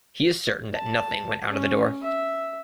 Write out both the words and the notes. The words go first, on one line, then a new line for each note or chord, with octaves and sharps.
He is certain that nothing went out of the door.
A5
C#4
E5